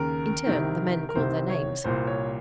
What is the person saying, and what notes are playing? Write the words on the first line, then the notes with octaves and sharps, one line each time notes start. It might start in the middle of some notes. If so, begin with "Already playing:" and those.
In turn the men called their names.
Already playing: D#2 C#3 A#4
C2 C3 D#3
A#4
C2 C3 D#3 C5
C#5
C2 A#2 C5
C#5